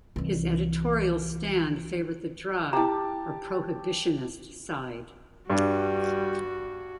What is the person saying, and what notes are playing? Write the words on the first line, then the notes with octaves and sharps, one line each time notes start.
His editorial stand favored the "dry," or prohibitionist side.
C2 E3
E4 G4 A5 A#5
G2 G3 F#4